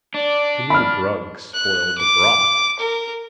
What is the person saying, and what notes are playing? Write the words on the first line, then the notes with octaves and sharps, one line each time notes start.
Too many drugs spoil the broth.
D4 D5
B5 F6
F#6
D6
A#4